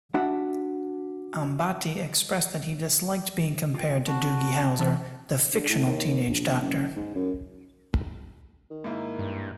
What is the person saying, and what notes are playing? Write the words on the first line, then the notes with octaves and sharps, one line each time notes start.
Ambati expressed that he disliked being compared to Doogie Howser, the fictional teenage doctor.
D4 F#4 E5 F#5
F4 G5
C4 F#4 A5
E3 C#4 A4 E5
D3
A2
D#2
A#1
F#1
G#2
F#2
D#3
G#2 A#3 E4
G2